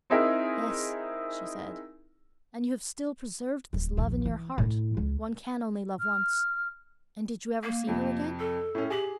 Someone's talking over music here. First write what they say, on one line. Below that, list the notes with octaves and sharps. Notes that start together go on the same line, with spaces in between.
"Yes," she said, "and you have still preserved this love in your heart--one can only love once--and did you ever see her again?"
C4 D#4 E4 G#4 A#4
D1
A#1 D#2
E3
A2 E4
C#2
F6
A#3
F2 C3
A4
A2 C#4
G4 G#4 F#7